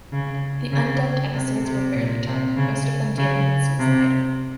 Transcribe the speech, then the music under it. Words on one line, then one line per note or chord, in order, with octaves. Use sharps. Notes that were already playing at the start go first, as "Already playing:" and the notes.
The undubbed episodes were fairly dark, most of them dealing with suicide.
C#3
C#3
C3
C3
A#2
C3
C#3
C#3
C3